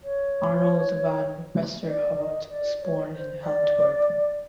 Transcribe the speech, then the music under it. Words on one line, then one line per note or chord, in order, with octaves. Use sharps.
Arnold van Westerhout was born in Antwerp.
C#5
D5
D5
D#5
D5
C#5
C5
D5